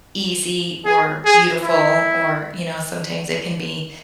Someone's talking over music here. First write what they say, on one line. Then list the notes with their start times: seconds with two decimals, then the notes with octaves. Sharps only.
easy or beautiful or you know, sometimes it can be
0.86 G#4
1.25 G#4
1.63 E4